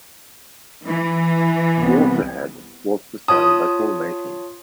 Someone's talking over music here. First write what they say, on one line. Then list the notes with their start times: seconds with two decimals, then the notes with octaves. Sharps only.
Water Head was designed by Paul Mason.
0.86 E3
1.79 C2 C3 B3
3.28 F4 C#5 A5 D#6